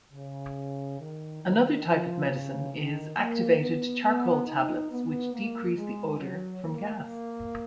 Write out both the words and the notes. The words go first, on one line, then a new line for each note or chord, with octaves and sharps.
Another type of medicine is activated charcoal tablets which decrease the odor from gas.
C#3
D#3
D#3
F3
C#3
D#3
A#3
B3
B3
D#4
B3
A#3
G#3
F#3
A#3